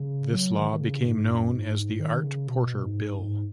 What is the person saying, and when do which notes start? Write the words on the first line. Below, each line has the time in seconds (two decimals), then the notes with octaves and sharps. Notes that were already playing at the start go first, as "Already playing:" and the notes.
This law became known as "The Art Porter Bill".
Already playing: C#3
0.33 F#3
0.57 D#3
0.72 D#3
0.81 C#3
1.05 G#2
1.29 F#2
1.53 G#2
1.76 G#2
2.00 D#3
2.24 C#3
2.47 B2
2.83 G#2
3.19 G#2